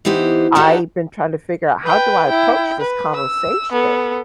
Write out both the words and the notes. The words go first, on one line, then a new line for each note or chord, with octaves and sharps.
I've been trying to figure out, "How do I approach this conversation?"
E3 B3 D#4 G4 C5
D#4 F#4 G4 A4 C5 D5
B4 G5
E4 G5
B4
E6
B3 A4